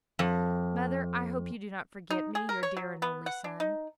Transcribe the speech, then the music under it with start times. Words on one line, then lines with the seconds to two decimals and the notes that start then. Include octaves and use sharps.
Mother, I hope you do not forget me, your dear and only son.
0.19 F2
2.10 D#4
2.35 G#4
2.49 A#4
2.63 C#5
2.77 F#3
3.02 B3
3.26 F#5
3.44 D4
3.60 D#4